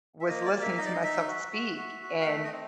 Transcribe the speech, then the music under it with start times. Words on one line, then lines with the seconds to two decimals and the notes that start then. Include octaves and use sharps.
was listening to myself speak and
0.21 E5
0.29 A#3 D#5
0.46 D5
0.53 A#3
0.61 E5
0.78 D#4 D#5
0.85 D5
0.94 D#5
1.03 D#4 E5
1.28 F#4
1.53 F#4
1.78 F#4
2.03 F#4
2.21 F5
2.26 A3 E5
2.44 D#5
2.52 C4